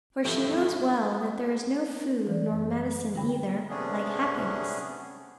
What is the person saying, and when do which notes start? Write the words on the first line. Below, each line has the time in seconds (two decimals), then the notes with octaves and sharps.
For she knows well that there is no food, nor medicine either, like happiness.
0.24 B1 G2 E3 F3 A3 C4 G4 E5
2.27 E3 F#3 G3 D5
2.50 F#2 E5
3.15 D3 A3 G5 B5
3.69 C3 A3 B3 C#4 D4 G#4